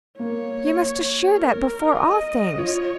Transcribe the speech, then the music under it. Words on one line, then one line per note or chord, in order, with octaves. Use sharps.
You must assure that, before all things.
A#3 C#5
A#4
D#5
F4 C#5